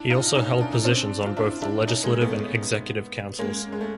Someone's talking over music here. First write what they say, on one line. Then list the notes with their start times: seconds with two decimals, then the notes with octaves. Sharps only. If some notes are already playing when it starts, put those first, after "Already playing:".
He also held positions on both the Legislative and Executive Councils.
Already playing: D4 E4
0.10 D#4 F4
0.35 C#4 D#4
0.61 D4
0.73 D#4
0.84 C4 D4
1.26 F4
1.37 D4 E4
1.61 D4 E4
1.87 C#4 D#4
2.04 G#3 A#3
2.21 A3 B3
3.39 G#3 A#3
3.72 G#3
3.81 A3